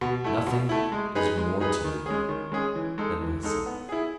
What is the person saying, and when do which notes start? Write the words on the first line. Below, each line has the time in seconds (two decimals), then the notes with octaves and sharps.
Nothing is more to me than myself!
0.01 B2
0.24 A3 E4
0.47 B2
0.69 A3 E4
0.92 G#3
1.15 D#4 G#4 B4
1.38 G#3
1.60 D#4 G#4 B4
1.84 D#3
2.06 G#3 C#4 G#4
2.29 D#3
2.52 G#3 C#4 G#4
2.75 E3
2.98 G#3 D#4 A4
3.21 E3
3.43 G#3 D#4 A4
3.66 B3
3.89 E4 G#4